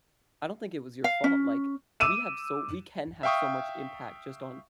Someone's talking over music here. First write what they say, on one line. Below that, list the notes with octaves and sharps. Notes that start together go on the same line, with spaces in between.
I don't think it was your fault, like, we have so we can have so much impact just on
F5
C#4
D6 E6 D#7 E7
E5 F5 G5 C#6 D#6